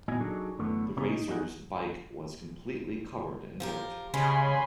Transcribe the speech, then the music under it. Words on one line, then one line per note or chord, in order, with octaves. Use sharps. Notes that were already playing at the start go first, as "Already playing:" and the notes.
The racers bike was completely covered in dirt.
A#2 B3 E4 F#4 D#5 G#5
F#3 D4 D#4 G#4 A4
F#2 D3 E3 A3 B3
B1 C#3 B3 C#4 E4 A#5
D#4
E2 F#3 D#4 G#4 F#5
F3 G4 A#4
C#3 G#3 G#5 B5 C6